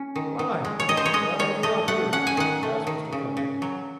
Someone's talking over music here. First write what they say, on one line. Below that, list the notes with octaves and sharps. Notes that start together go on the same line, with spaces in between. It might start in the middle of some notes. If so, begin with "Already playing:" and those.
"Why--why are we out here?" asked Mr. Fenwick.
Already playing: C#4
D#3
D#3
G#3
C#5
D#3 D#5
C5
C#5
G#3 D#5
D#3 C#5
A3 D#5
A3 F#5
C#4 F#5
G#5
D#3 F#5
A3
D#3
C#3
C#3
F#3